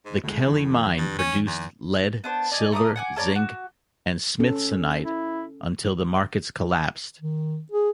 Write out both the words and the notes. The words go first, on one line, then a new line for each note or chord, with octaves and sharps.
The Kelly Mine produced lead, silver, zinc and smithsonite until the markets collapsed.
G#2
D2 A2 G#3
F2 D#3
G2
C#4
E2
B3 D4 C5
D5 D#5 G#5
A3 A#5 D6 D#6
F#5 G#5 D6
A4 C#5 D5 A#5
F#4
C#4 A4
E4
D#3
G#4